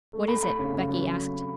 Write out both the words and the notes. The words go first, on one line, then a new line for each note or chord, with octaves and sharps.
'What is it?' Becky asked.
A3
A3 B5
A3 B5
C#3
C#3
F#3